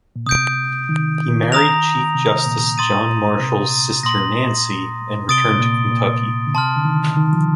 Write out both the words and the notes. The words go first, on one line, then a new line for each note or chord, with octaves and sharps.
He married Chief Justice John Marshall's sister Nancy, and returned to Kentucky.
A#2
C3 D#6 G6 D7
D#3
A#5 D#6 A#6 F7
C3
A#2
C6 D#6 A6 D#7
C3
A#2 C6 D#6 A#6
C3 D#6 A6 D7 G7
A#2
A#2
A#2
D3
C3 A5 C6 F6
D3
D#3
D#3
F3